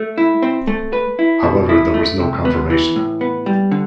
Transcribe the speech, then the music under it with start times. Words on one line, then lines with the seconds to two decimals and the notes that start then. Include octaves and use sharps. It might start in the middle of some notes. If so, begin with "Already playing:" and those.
However, there was no confirmation.
Already playing: A3
0.18 E4
0.42 C4
0.67 A3
0.93 B4
1.19 E4
1.43 B2
1.69 E4
1.94 A3
2.20 C3
2.45 B3
2.70 E3
2.96 A2
3.21 B3
3.46 G3
3.71 D3